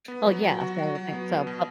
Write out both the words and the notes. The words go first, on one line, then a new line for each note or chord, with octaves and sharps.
Oh, yeah. So, I would think so, but
B3
F#3
F#3
F#4
F#3
F#3
B3
B2
B2